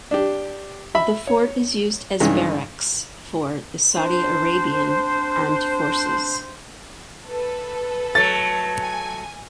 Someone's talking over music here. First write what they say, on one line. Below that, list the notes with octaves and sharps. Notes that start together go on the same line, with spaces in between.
The fort is used as barracks for the Saudi Arabian Armed Forces.
D4 G4
E5 B5
C#5
G2 C#3 E3 G#3 D#4
C4 D4 C5
A4 B4
F#3 A3 A6
G#5